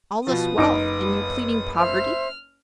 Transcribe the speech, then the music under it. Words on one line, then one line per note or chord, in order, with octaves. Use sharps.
"All this wealth, and you pleading poverty?"
B2 F3 B4 D#6
F#1 D#4 D6 D7
C5 E5 F6